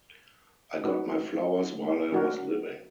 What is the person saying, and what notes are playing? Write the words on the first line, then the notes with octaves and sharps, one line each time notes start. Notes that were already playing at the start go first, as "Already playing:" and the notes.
I got my flowers while I was living.
D#4 F#4 B4
D4 F#4 A#4